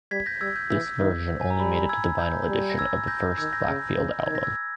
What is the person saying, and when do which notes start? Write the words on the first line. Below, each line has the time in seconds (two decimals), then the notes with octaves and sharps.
This version only made it to the vinyl edition of the first Blackfield album.
0.11 G3 G#6 B6
0.26 G6 A#6
0.41 G3 E6 G#6
0.56 G6
0.70 E3 E6
1.00 D#3
1.41 G#5
1.50 A#5
1.60 G3 B5
1.74 B5
1.89 E6 G#6
2.19 G6
2.48 G3
2.70 A#6
2.78 E6 G#6
3.08 G6 A#6
3.38 D#3 E6 G#6
3.53 G6 A#6
3.68 C#3
3.97 C#3
4.26 D#3 G#6
4.35 A#6
4.43 E6 G#6